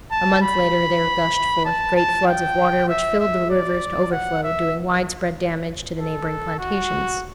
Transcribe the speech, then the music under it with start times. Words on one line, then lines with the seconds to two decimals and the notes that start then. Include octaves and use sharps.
A month later there gushed forth great floods of water, which filled the rivers to overflow, doing widespread damage to the neighboring plantations.
0.11 A5
0.42 B5
1.65 A5
1.96 A5
2.27 G5
2.89 E5
3.20 E5
3.51 D5
4.12 F#5
4.43 E5
5.98 A4
6.59 F#4